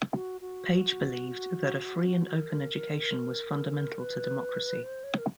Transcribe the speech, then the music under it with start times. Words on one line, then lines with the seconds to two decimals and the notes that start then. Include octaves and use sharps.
Page believed that a free and open education was fundamental to democracy.
0.13 F#4
0.41 F#4
2.35 A#4
4.00 B4
4.83 C5
5.04 C#5
5.18 A#4